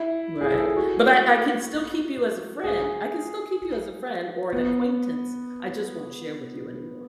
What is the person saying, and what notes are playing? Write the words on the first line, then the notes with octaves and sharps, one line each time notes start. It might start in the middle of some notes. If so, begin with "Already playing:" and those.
Right, but I I can still keep you as a friend, I can still keep you as a friend or an acquaintance, I just won't share with you anymore.
Already playing: E4
G#4
A4
G#4
F#4
G#4
B3